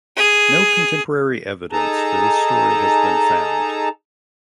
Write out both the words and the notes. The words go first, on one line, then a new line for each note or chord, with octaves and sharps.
No contemporary evidence for this story has been found.
G#4
D#4 G#4 A4 A5 A#5